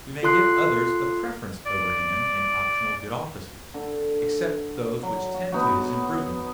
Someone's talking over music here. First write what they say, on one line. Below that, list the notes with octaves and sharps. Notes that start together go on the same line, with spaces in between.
We may give others a preference over him in optional good offices, except those which tend to his improvement.
F4 A4 C6 F#6 C7
D5
D3
F#3
F#4
B3 D#4 F#4